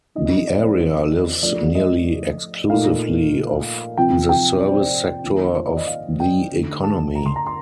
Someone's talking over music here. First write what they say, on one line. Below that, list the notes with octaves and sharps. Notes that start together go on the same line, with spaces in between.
The area lives nearly exclusively off the service sector of the economy.
F3 C4 D#4 D#5
D#5
D#5
D5
C5
F3 A3 D4 D5
D#5
A#2 A3 D#4 F5
C3 F3 C4 F4 G5
G5
D5
C5
D5
D#3 A#3 D4 F4
C5
D5
D#5
F5
G5
D3 A3 D#4
A5
A#5
C6
A#5
C6